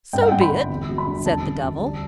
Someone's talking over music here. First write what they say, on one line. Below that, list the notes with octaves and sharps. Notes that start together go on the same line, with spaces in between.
"So be it," said the devil.
G2 G5
F#5
G2 G5
B5
G1
E1
F#3
B5
D3
E1 A5
C#3
D2
G3